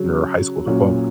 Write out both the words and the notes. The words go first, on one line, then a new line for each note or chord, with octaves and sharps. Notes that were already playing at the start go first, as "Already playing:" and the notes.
your high school diploma.
Already playing: C#3 F#3 C#4
A#2 F#3 C#4